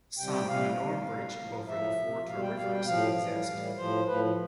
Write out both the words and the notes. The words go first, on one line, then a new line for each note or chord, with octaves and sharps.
Some and an old bridge over the Fortore river still exist.
C3 G3 G5
G5
C3 G3 F5
C3 G3
B2 G3
A2 F3
A2 F3 E5
C3 F3
B2 G3 F5
G5
B2 G3 F5
G5
A2 F3 F5
A2 E3 G3
A2 E3 G3
A2 F3 C5
A2 F3 B4